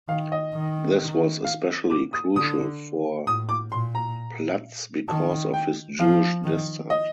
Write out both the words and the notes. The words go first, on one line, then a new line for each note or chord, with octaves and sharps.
This was especially crucial for Platz because of his Jewish descent.
D#3 F5
D#5
D#3
F5
D6
D#6
D3 D#6
A2 D#6
D6
A#2 C6
A#5
D#3 A5
G5
F3 F5
D#3
D#5